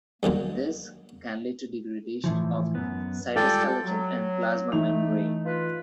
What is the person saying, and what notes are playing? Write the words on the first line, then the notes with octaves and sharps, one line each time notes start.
This can lead to degradation of the cytoskeleton and plasma membrane.
G2 D#3 F#3 A#3
A2 E3 F3
F#2 B3
G3 G#3 F4 A4 D5 G5
F#3
E3 A3 D#4 F7
F4 B4